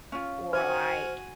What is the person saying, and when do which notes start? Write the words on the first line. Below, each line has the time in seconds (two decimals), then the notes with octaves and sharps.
Or, like,
0.12 C#4 F4
0.53 F#4 C5 G#5 F6